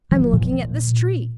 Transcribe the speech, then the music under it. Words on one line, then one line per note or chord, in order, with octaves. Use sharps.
'I'm looking at this tree.
F3
A#2